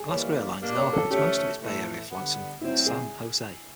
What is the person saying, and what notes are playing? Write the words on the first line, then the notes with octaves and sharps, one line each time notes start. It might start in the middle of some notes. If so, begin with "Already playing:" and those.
Alaska Airlines now operates most of its Bay Area flights from San Jose.
Already playing: G#4
E3 G3 A#3 C#5
B2 G3 A#3 D4
C#5
A4
F3 A3 C#4 G4
A2 E3 A3
D3 G3 B3
F#3 A3 C4 E4
G#4